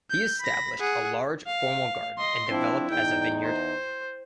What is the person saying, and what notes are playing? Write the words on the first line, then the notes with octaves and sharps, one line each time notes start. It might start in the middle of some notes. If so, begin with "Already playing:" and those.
He established a large formal garden and developed as a vineyard.
G6
B5 A#6
G#4 F#5
F5
D#5 C6
F3 C4 D4 E4
E2 D#4 G5
C5